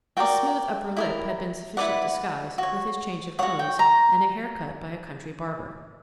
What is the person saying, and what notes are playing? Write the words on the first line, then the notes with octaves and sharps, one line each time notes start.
His smooth upper lip had been sufficient disguise, with his change of clothes, and a hair-cut by a country barber.
F#4 A#4 D5 G5
E4 G4 A#4
E4 B4 D5 F#5
F#4 C#5
F#4 C#5 F#5
G5
A#5